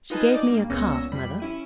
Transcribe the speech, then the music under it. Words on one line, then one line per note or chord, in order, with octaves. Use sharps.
'She gave me a calf, Mother.'
D#4 F4 B4 D#5 G#5 A5
D#4 D5 D6
G2 A#3
C#2 A#2 B3 C#4 E6 A#6
F2 G3 B5 B6
C#4 E4 D#7